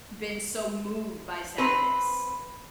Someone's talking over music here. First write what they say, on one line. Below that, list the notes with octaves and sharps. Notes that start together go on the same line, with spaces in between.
been so moved by sadness.
C4 B4